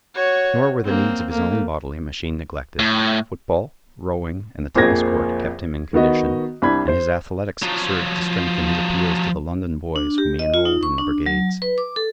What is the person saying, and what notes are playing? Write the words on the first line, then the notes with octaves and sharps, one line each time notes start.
Nor were the needs of his own bodily machine neglected; football, rowing, and the tennis court kept him in condition, and his athletics served to strengthen his appeals to the London boys whom he enrolled in the brigades.
F#4 C#5
A#3 C4
A3 A#3
A2
A#1 F2 A#3 G#4 G#6 A#6
D#3 B3 F#4 D#5
C2 D4 B5 G#6
C5
F3 F#3
D4
G4
D#5
F4
D#4
C#6
D4
F#3
B4
D6
A4